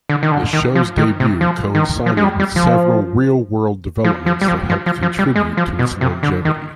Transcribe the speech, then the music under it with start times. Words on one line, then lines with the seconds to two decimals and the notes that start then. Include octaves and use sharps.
The show's debut coincided with several real-world developments that helped contribute to its longevity.
0.09 D3
0.23 D#3
0.31 D3
0.53 D#3
0.75 F3
0.98 D#3
1.20 C3
1.41 F3
1.75 D#3
2.06 F3
2.17 G#3
2.24 G3
2.39 G3
2.56 F3
4.04 F3
4.26 F3
4.41 G3
4.48 F3
4.70 F3
4.86 F3
5.03 F3
5.19 G3
5.36 G#3
5.57 F3
5.79 B2
6.01 C3
6.23 D3
6.45 D#3